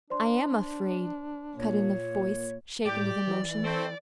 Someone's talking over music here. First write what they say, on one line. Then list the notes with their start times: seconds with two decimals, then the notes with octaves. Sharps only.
"I am afraid," cut in a voice shaken with emotion.
0.10 D4 C5 D5 C6
1.56 A#2 A#3 C#5
2.86 A2 G4 D5
3.27 E3
3.63 A3 C4